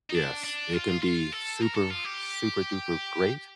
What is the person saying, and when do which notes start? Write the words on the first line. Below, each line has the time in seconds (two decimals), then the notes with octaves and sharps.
Yes. It can be super, super duper great
0.10 D#4
0.14 D4
0.44 D4
0.73 F4
1.02 F4
1.32 A4
1.61 A#4
1.75 A4
1.90 F4
2.05 G4